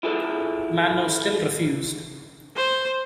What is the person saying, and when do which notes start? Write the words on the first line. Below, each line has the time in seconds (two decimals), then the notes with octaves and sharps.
Manno still refused.
0.03 E4 F4 G#4 A4 B4 D5
2.56 C5